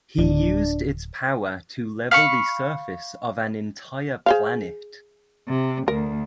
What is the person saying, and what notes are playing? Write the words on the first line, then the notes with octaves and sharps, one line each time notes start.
He used its power to level the surface of an entire planet.
D1 D4
F5 B5 C#6
G#4 C5 F5
C3
D2 A#4